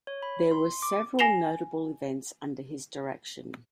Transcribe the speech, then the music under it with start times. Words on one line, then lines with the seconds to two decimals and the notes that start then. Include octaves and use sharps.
There were several notable events under his direction.
0.07 C#5
0.22 B5
0.51 C6
0.82 D6
1.19 G#5 A#6 C7 E7 F7 G7